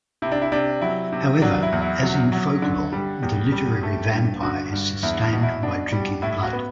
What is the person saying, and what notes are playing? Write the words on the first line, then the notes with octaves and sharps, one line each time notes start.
However, as in folklore, the literary vampire is sustained by drinking blood.
C3 E4
D4
E4
C3 D4
F#3 E4
C3
F#3 D4
E4
E2
E4
F#3
F#3
D3
G3
E2 G4
G3
A3
G2
D3 F#4
G2
E2 E4
E4
B2
E4
B2 D4
G3
A2 E4
F#4
B3